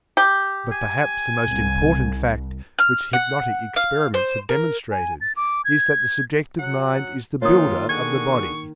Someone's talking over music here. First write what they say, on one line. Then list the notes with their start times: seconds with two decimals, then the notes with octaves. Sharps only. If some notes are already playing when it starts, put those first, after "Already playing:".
But perhaps the most important fact which hypnotic experiments have demonstrated is that the subjective mind is the builder of the body.
0.17 G4
0.72 G#5
1.48 C2
2.79 F6
3.13 F#5
3.76 F5
4.14 C5
4.49 A#4
4.91 G#5
5.21 A6
5.36 D6
5.65 G#6
6.58 F#3 F#5
7.42 G#2 D#3 A#3 F4 C#5 D#6
7.89 D3 F#4 G#4 C#6 G#6